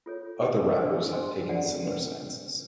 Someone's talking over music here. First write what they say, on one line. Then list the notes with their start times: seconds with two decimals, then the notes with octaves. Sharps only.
Other rappers have taken similar stances.
0.06 F4 A4 C#5
0.42 D#4 G4 A#4 D#5
0.77 D4 F#4 A4 C5
1.13 G#4 C5 D#5 G#5 C6
1.49 D4 F4 A4 D5 F#5